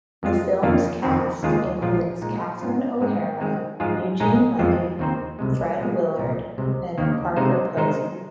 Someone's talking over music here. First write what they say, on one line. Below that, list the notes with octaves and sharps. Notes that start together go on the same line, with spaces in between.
The film's cast includes Catherine O'Hara, Eugene Levy, Fred Willard, and Parker Posey.
F2 F3 G#3 F4
F2 D#3 A#3 F4
F2 D#3 C4
D#2 D#3 G#3 F4 G#4
A#1 A#2 F3 G#3 F4
A#2 G#3 D#4
G#2 G#3 C4 F4
G#2 G#3 C4
D#3 G#3 C4
G#2 F3 G#3 F4 G#4
A#1 G#2 G#3 D#4 G#4
F2 F3 G#3 F4 C5
D#2 D#3 C4 D#4 C5
C2 C3 G#3
A#2 F3 G#3
C2 A#2 F3
C2 C3 G#3
D#2 D#3 A#3
C3 G#3 D#4 C5
D#3 G#3 D#4 C5